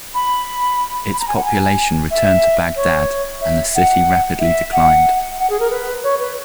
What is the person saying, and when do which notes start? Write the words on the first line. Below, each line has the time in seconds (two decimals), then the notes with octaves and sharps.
Its population returned to Baghdad and the city rapidly declined.
0.15 B5
1.13 B5
1.20 A#5
1.28 G#5
1.36 F#5
1.44 G#5
2.11 E5
2.76 C#5
3.41 E5
3.75 F#5
4.40 E5
4.73 F#5
5.39 F#5
5.50 G#4
5.60 A#4
5.71 B4
6.04 C#5
6.20 B4